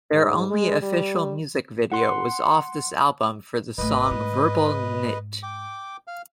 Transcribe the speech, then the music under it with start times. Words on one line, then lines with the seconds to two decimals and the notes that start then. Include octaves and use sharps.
Their only official music video was off this album for the song Verbal Kint.
0.12 G#2
0.50 G#3
0.82 G3
1.92 F#5 C6
3.78 G#1 A3 B4 D#5
4.11 G#2
5.43 G5 D6
6.07 F5